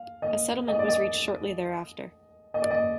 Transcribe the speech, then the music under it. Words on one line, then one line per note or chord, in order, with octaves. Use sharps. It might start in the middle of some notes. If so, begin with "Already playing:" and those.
A settlement was reached shortly thereafter.
Already playing: F5
D#5
D#5
D5
D#5
D#5
D5
D#5